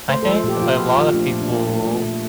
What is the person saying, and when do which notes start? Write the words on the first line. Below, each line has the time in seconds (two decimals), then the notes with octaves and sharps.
I think a lot of people
0.09 A3 C5
0.23 A4
0.26 F3
0.35 A4
0.44 A#2 G4
0.62 A#2 F4
0.80 F3
0.97 F3
1.15 A3 D4
1.32 A#2
1.42 D4
1.50 A#2
1.69 A3
1.86 A3
2.04 A#2